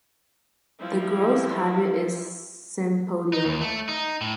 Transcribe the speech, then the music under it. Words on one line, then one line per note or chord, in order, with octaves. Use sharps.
The growth habit is sympodial.
F3 G3 E4
D#4
D#2
A3
D#4
A2